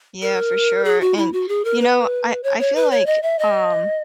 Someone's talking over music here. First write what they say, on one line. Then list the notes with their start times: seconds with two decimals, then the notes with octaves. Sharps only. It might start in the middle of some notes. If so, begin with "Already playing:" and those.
Yeah, for sure, and, you know, I I feel like, um,
0.22 A#4
0.85 G#4
1.01 F#4
1.17 E4
1.33 F#4
1.48 G#4
1.65 A#4
1.80 B4
2.43 C#5
2.59 C#5
2.75 B4
2.91 C#5
3.06 D#5
3.22 E5
3.39 D#5